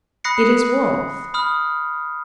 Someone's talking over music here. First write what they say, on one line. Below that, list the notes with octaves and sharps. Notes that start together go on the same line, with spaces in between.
It is warmth.
B5 D#6 F#6 A#6 C7 C#7
B5 D#6 F6